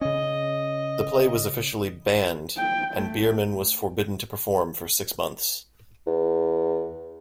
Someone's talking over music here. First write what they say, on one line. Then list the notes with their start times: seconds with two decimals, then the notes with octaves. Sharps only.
The play was officially banned and Biermann was forbidden to perform for six months.
0.01 C#3 C#4 D#5
2.57 G5
2.95 A3
6.06 E2